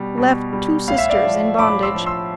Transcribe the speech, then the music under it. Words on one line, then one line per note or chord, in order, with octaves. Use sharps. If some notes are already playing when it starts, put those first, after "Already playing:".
Left two sisters in bondage.
Already playing: B2 G3
B2
G3
A2 F5
E5
D5 F5
F3
A2 B5 D6
C6 E6
F3
C6 E6